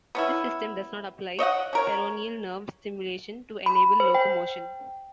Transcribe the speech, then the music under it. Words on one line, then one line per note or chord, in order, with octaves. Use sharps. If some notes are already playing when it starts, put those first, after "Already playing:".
This system does not apply peroneal nerve stimulation to enable locomotion.
B3 C#4 E4
C#5 D#5 E5 F#5
C#4 A#4 C#5
B5
C5
G5